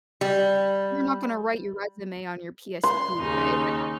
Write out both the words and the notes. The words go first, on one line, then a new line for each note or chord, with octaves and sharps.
You're not gonna write your resume on your PSP, right?
G3
C6
D#2 C#3 D#4